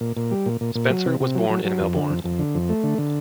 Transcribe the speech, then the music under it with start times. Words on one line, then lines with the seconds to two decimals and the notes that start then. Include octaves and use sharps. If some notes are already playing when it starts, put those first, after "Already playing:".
Spencer was born in Melbourne.
0.01 A#2
0.17 A#2
0.31 G3
0.46 A#2
0.61 A#2
0.75 A#2
0.90 F#3
1.06 C3
1.20 C3
1.35 F#3
1.50 F#3
1.65 F#3
1.80 F2
1.95 D3
2.10 F2
2.24 F2
2.39 D3
2.54 F2
2.69 A3
2.83 D3
2.98 D3